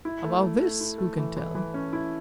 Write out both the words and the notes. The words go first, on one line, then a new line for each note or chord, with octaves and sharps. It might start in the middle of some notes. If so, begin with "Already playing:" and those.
About this who can tell?
E4
A3
A3
A3
E4
A3
E3
E3
E3
C#4
E4